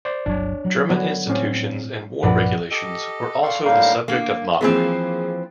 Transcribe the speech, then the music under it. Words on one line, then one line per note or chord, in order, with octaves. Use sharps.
German institutions and war regulations were also the subject of mockery.
C5 D5
G1 C#2 F#3 D4 C#5
F#3
D3 B3 D4 F#4 C#5
A2 G3 C4 C#4
C2 G2 A#2 F3 B4 D5 F#5
G4 A4 D#5
A4 D5 F5 G5 C6 C#6
A2 D3 G3 A#3 D#4 F5
D3 A#3
E3 F3 G#3 A#3 C4 G#4